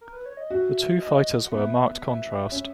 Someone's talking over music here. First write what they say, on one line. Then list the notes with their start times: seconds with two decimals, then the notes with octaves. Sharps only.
The two fighters were a marked contrast.
0.01 A#4
0.13 B4
0.26 C#5
0.37 D#5
0.50 F#4 E5
1.00 D#5
1.45 F#5
1.52 B3 E5
2.02 E5
2.52 C#4 E5